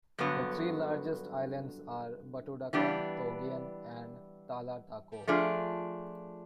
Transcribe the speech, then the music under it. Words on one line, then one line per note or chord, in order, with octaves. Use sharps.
The three largest islands are Batudaka, Togian, and Talatakoh.
G2 D3 F#3 B3
E3 G3 B3 D4
F3 A3 D4 F4 G#4